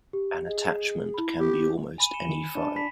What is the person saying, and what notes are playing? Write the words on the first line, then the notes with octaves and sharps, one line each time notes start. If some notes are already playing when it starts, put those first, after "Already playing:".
An attachment can be almost any file.
G4
G#4 D#5
E4 B5
B3 G4
G#5 B5 D#7
C#7 E7 G7
D#3
D4 D5 A5
B5 B6